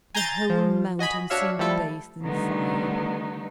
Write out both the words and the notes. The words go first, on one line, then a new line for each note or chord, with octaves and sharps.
The whole mountain seemed bathed in fire.
G#5 A#5 C6 G6 A6
F3
F#4 D#5 G#5 B5
D4 F#4 C#5 E5 F5
F3 G3 A3 E4 A4
D3 D#3 G3 A3 B3 D#4